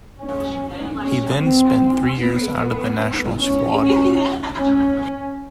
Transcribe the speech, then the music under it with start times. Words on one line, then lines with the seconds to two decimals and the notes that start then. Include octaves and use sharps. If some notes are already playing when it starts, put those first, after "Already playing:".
He then spent three years out of the national squad.
0.17 C#4
0.98 C#4
1.37 C4
2.17 B3
2.57 B3
3.37 C#4
3.77 C#4
4.57 C#4